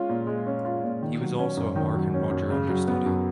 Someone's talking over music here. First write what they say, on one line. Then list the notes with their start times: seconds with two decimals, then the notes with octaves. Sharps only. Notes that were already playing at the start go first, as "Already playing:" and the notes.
He was also a Mark and Roger understudy.
Already playing: G#3 C#4 F4
0.09 A#2
0.27 G#3
0.46 C#4
0.65 F4
0.84 A#2
1.02 D#3
1.21 F#3
1.39 C#4
1.57 F#2
1.76 D#3
1.94 F#3
2.14 C#4
2.31 F#2
2.50 C#3
2.69 F#3
2.88 B3
3.06 F#2